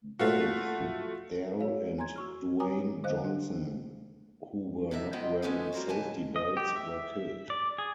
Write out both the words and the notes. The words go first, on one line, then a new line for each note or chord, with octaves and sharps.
Both Darr and Duane Johnson, who were not wearing safety belts, were killed.
A3 F4 F#4
F#4 C#5 F5
G#5 A#5 C6 G#6
F#4 C#6 F6
C#5 G5 G#5 A#5 D6 D#6
D3 C5 D#5 F5 F#6
D4
G2 C3 D#4 E4 E5
F2 G#3 B3 F4 D#5 G5
D3 G#3 A3 B3 C#4 D#4
G3 A#3 F#4 A#4 C5
D#2 B2 G#5 A5
D#5
G4
E5
D5
G#4